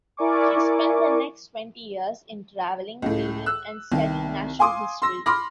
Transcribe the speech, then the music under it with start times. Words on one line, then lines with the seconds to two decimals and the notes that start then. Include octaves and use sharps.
She spent the next twenty years in traveling, reading and studying natural history.
0.17 E4 A#4 D5 G#5 C#6 D6
3.02 C#2 A2
3.46 E6 F#6
3.92 C2 D#3
4.59 F5 G#5 C6 D6 D#6
5.02 C6 E6 A#6
5.26 B5 C6 D6 F6 A#6